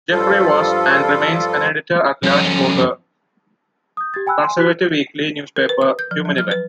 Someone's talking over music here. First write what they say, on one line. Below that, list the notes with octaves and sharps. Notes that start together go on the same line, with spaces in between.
Jeffrey was and remains an editor-at-large for the conservative weekly newspaper "Human Events".
G2 F3 G3 F4 A4
F2 C#4
D#6 G6
G4 G#6 A6
G5 G#5 B5 E6 F#6
G#5 C6
E4 F#4 F#6 B6
A#4
B4
D#6
G6
F3
F#3
F6
B4